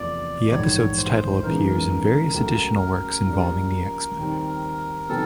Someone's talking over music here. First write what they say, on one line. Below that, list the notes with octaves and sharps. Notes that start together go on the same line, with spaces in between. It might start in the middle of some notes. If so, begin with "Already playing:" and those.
The episode's title appears in various additional works involving the X-Men.
Already playing: E2 C3 F3 A3 D4 D5
A#1 G#2 E3 C#5
C5
C#3 E3 G#3 B3 D#4 A#4
C#2 C#3 F#3 A3
C#3 F3 A#3 D4 G4
D#2 D#3 G3 C4
C3 D#3 F#3 B3 A4